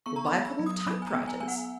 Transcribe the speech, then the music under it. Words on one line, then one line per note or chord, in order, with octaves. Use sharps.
We'll buy a couple of typewriters.'
B3 C#6
A#5
B5
B3
B5
F#3
D#6
F#3 B5
G#5
A#5
B3
G#5
B3 G#5
F#5